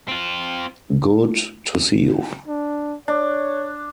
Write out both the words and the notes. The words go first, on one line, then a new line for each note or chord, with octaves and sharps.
Good to see you.
C4 F4
D4
D4 C#5